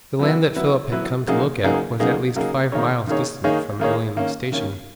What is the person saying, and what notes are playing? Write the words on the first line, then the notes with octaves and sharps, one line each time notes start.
The land that Philip had come to look at was at least five miles distant from Ilium station.
F#3 B3 E4 B4
F#3 B3 E4 B4
F#3 B3 E4 B4
C#3 F#3 A#3 D#4 G#4
C#3 F#3 A#3 D#4 G#4
C#3 F#3 A#3 D#4 G#4
C#3 F#3 A#3 D#4 G#4
D#3 A#3 D#4 G#4 C#5
D#3 A#3 D#4 G#4 C#5
D#3 A#3 D#4 G#4 C#5
D#3 A#3 D#4 G#4 C#5
D#3 A#3 C#4
D#3 A#3 C#4